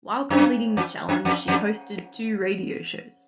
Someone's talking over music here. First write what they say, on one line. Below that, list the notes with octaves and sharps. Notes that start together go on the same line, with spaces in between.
While completing the challenge she hosted two radio shows.
F#2
F2
F#2
F2
F2